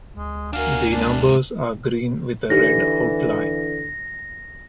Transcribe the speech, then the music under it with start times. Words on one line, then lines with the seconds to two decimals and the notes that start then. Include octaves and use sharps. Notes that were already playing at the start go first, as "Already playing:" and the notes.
The numbers are green with a red outline.
0.17 D2 G#3
0.53 D4 F#4 A#4 F5 G#5
0.91 G#2 C3 D4
2.50 D3 E3 D#4 G4 A#6